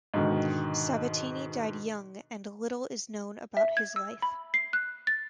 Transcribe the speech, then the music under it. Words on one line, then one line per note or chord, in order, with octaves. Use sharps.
Sabatini died young and little is known about his life.
G#2 B2 D3 D#3
E5
G#6
E6
B5
C7
F#6
A6